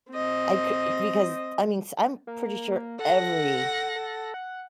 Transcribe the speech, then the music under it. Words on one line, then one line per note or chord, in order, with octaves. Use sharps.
I c because, t I mean, s I'm pretty sure every
C4 D#5
A#3
A4 F#5 A#6
A4
F#5